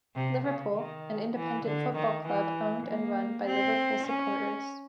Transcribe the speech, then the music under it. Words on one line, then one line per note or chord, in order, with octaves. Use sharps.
Liverpool, an independent football club owned and run by Liverpool supporters.
C3
C#3
D#3
E3
D3
D#3
E3
A#3
C4
C#4